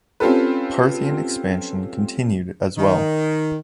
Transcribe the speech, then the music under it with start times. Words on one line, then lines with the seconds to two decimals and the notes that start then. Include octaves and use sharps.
Parthian expansion continued as well.
0.20 C4 C#4 F4 G4 A4 B4
2.77 D#3